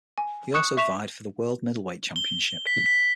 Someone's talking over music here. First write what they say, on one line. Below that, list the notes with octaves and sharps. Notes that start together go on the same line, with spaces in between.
He also vied for the world middleweight championship.
G#5
C#6 D#6 F#6 C#7 E7
E5 C#6 B6 E7 F7
G7
B6
B6